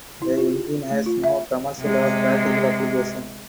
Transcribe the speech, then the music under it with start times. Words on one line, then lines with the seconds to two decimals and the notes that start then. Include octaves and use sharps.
The engine has no commercial or practical application.
0.22 E4
0.38 F4
0.91 A3
1.06 F4
1.24 E5
1.79 C3 G#3